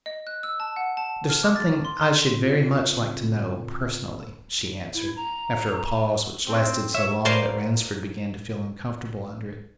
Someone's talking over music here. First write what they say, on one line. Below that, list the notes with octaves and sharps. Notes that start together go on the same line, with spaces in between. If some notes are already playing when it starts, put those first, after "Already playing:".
"There's something I should very much like to know--personally," she answered, after a pause which lasted so long that Ransford began to feel uncomfortable under it.
D#5
F#6
E6
A5
F#5
A5
F6
D6
A6
C6
C6
C#3 C4 F4
E4
A#5
C4
C#5 E5
A#4 C5 D5 F5 G#5 A5